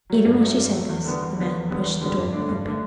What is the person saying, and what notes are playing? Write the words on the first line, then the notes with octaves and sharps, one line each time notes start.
Even while she said this, the man pushed the door open.
F#3 A3
G2
F#3 A3
G2
F#3 A3
E2
D3 G3 B3
E2
D3 G3 B3
E2
D3 G3 B3
E2
D3 G3 B3
G2
D3 A3 D4
G2
D3 A3 D4